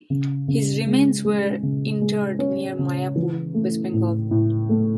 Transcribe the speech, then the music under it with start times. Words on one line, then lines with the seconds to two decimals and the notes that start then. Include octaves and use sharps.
His remains were interred near Mayapur, West Bengal.
0.10 C#3
0.48 C#3
0.86 G#3
1.25 G#3
1.63 C#3
2.01 G#3
2.39 C#4
2.78 C#3
3.16 E3
3.54 A3
3.93 A2
4.31 A2
4.69 A3